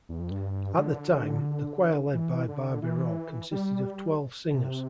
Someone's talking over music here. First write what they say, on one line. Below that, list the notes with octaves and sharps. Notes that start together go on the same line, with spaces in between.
At that time, the choir led by Barbireau consisted of twelve singers.
E2
F2
G2
D3
E3
D3
E3
G3
C3